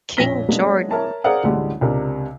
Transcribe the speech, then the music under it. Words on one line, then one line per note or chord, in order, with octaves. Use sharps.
King Jordan.
A#1 F2 C#4 A#6 B6 G7
F#3 G#3 A#3 B3 C#4 D4
A#4 C#5 E5 A5
G#4 A#4 C5 D5 F5 F#5
A1 D2 A2 D3 G3 G#3
C#2 C3 D4 A#4